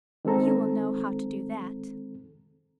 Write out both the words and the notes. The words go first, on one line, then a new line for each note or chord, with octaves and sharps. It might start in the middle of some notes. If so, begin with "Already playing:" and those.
You will know how to do that.
D#3 G#3 C4 A4 A#5